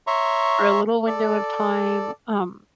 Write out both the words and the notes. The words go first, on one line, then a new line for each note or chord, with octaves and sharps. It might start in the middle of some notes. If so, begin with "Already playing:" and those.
for a little window of time, um,
C#5 E5 A#5 C6 C#6
A4 D5